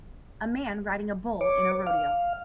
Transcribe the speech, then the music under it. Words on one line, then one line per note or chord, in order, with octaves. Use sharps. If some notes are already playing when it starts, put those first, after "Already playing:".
A man riding a bull in a rodeo.
C#5 D6
F5